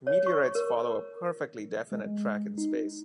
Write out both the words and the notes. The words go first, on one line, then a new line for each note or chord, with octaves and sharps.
Meteorites follow a perfectly definite track in space.
C#5
C#6
A#4
G#3
D#4